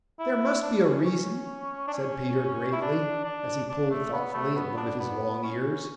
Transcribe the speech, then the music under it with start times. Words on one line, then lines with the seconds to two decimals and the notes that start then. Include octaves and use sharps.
"There must be a reason" said Peter gravely, as he pulled thoughtfully at one of his long ears.
0.19 E4
0.63 D4
0.85 C#4
1.07 C#4
1.88 D4
1.94 C#4
2.73 E4
2.82 D4
3.25 D4
3.69 D4
3.91 A3
4.13 B3
4.34 A3
4.56 B3
4.77 D4
5.00 B3
5.43 C#4